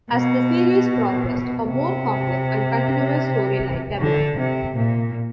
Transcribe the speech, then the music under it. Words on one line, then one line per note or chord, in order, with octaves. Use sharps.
As the series progressed, a more complex and continuous storyline developed.
B2
C3
D3
C3
A#2